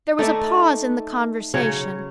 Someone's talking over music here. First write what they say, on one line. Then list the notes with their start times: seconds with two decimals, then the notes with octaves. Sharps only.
There was a pause in the conversation.
0.19 A3 D#4 D5 E5
1.54 C#3 F#3 C#5